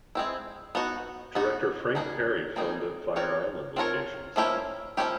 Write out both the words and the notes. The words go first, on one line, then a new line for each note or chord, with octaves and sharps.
Director Frank Perry filmed at Fire Island locations.
G#3 C4 E4
B3 D#4 F#4
B3 D#4 F#4
G3 A#3 D#4 G#4
G3 A#3 D#4 G#4
C4 F4 A#4 C#5
C4 F4 A#4 C#5
F3 A#3 C#4 E4 G4
F3 A#3 C#4 E4 G4